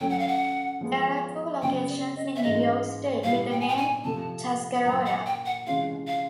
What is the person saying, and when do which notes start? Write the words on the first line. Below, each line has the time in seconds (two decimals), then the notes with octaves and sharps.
There are two locations in New York State with the name Tuscarora.
0.01 F#3 A3 C#4 G5
0.09 F#5
0.19 F5
0.28 F#5
0.81 F3 G#3 B3
1.62 F#2 C#3 F#3 B3 G5
1.89 D5
2.16 D#5
2.36 E5
2.43 G#2 E3 G#3 C#4 D#5
3.24 A#2 G3 B3 E4 F5
3.51 G5
3.60 G#5
3.68 G5
3.78 G#5
4.04 C3 F3 A3 A5
4.85 A#2 F#3 A#3 A#5
5.06 F#5
5.26 G5
5.46 F#5
5.67 C3 E3 G#3 C#4 F4 F5
6.07 F5